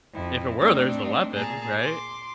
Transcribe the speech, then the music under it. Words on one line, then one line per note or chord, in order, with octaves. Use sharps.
"if it were, there's the weapon," right?
F2 E4
A3 C4 D4 D#4
A#2 G#4 A5 A#5
C6 D6